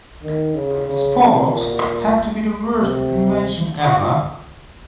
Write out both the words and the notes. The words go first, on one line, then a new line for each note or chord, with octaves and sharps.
Sporks have to be the worst invention ever.
D#3
C#3
C#3
C3
A#2
C3